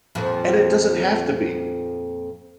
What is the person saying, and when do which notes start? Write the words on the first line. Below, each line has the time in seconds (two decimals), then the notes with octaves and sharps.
and it doesn't have to be.
0.15 F2 A#2 F3